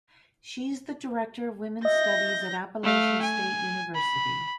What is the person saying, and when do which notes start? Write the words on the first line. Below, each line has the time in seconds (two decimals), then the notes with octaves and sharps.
She is the director of Women's Studies at Appalachian State University.
1.85 D#5 E5 G6 A#6
2.83 A3 F5
3.22 G#5
3.95 B5